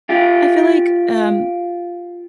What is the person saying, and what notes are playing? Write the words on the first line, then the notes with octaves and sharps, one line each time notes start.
I feel like, um,
F4 G4